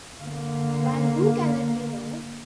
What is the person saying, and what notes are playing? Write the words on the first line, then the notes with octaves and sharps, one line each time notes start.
While Who Can It Be Now?
D3 A#3